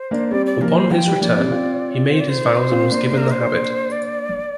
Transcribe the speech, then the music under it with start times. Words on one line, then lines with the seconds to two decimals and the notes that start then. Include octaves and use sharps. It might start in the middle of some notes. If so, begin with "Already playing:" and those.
Upon his return, he made his vows and was given the habit.
Already playing: C5
0.11 A#3 D4
0.31 G3 C4 D5
0.46 D5
0.61 F3 A#3 A#4
0.77 C5
0.91 F3 G5
1.06 G3
1.21 F3 A#3 D5
1.36 G3 C4
1.51 C4 F4
2.12 C5
2.20 D5
2.29 C5
2.71 C4 F4
2.91 A#3 D4
3.11 A#3 D4
3.17 A#4
3.31 C5
3.92 D5